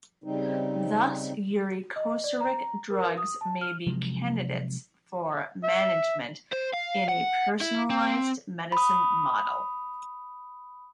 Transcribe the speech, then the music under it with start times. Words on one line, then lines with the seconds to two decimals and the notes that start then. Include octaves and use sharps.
Thus, uricosuric drugs may be candidates for management in a personalized medicine model.
0.24 C#3 G3 C4 D#4
1.96 D#5
2.24 D5
2.40 A#5
2.90 A#4
3.18 D#6
3.41 A5
3.61 F6
3.87 C3 F3 F#3 G#3
5.63 E5
6.53 C5
6.74 F5
7.09 F#5
7.61 E4
7.91 C4
8.72 B5 D#6